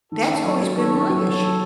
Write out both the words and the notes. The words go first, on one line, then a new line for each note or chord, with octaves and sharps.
that's always been my issue.
D#3 F#4 A4
C#4
F#3 A4 C#5
F#4
D#3 A4 C#5
C#4
F#3 A4 C#5
F#4